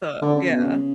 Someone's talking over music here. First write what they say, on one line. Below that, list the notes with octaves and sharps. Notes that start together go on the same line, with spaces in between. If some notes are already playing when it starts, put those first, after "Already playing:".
But, yeah.
D3
C#3
B2
C#3